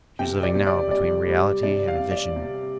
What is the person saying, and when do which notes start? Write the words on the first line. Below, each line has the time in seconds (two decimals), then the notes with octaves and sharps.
She was living now between reality and a vision.
0.19 C3 G5
0.43 D5
0.55 C3
0.67 D5
0.91 G3 D5
1.27 G3
1.63 C3 D5
1.88 F5
1.99 C3
2.11 D5
2.36 C3